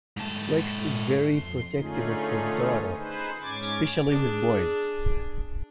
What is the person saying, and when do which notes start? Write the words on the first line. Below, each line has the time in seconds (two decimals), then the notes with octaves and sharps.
Flex is very protective of his daughter, especially with boys.
0.17 G#2 A4
1.32 F2 C6
1.76 D3 A3 C#4 D#4 F4 G#4
2.97 D#4 G#4 B4 C5
3.43 G#2 C#4 D6 G#6 A6
4.11 D4 G#4